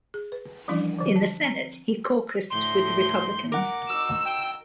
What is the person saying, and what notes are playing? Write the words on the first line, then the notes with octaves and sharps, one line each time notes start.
In the Senate, he caucused with the Republicans.
G#4
B4
E3 F3 G3 C#4 D4 E4
D3 F3
A5
C4
D2 A2 C6 G6
A#4 F#5 D6
D#4 F#4 E6
G5